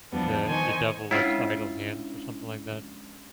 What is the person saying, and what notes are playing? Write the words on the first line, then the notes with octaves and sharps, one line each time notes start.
the the devil likes idle hands or something like that?
E2 F3 G3 B3 D4
D#3 C5 G#5 C#6
G#3 C#4 D4 E4 F4